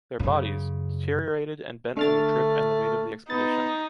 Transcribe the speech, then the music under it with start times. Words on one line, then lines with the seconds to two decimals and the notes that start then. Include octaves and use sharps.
Their bodies, deteriorated and bent from the trip and the weight of the expedition.
0.19 F#2 C#3
1.97 D3 A3 F6 A6
3.30 B3 D#4 A6